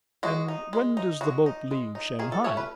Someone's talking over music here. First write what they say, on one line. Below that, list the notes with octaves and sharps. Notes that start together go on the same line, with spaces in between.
"And when does the boat leave Shanghai?"
G#3 F#4
D#4
G#3
D#4
G#3 F#4
D#4
G#3
D#4
D#3 G#4
A4
A3 C#4 C#5
B4